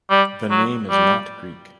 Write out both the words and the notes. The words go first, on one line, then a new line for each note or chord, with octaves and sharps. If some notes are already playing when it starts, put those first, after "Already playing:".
The name is not Greek.
G3
F#3
G3